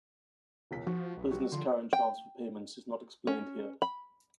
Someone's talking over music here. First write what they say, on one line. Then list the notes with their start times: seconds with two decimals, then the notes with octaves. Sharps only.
Business current transfer payments is not explained here.
0.71 E1 C#2 B6
0.87 F3 F#4
1.17 B1
1.31 G3 F#4
1.52 D3 F3 C6
1.93 G5
3.27 C#4
3.82 B5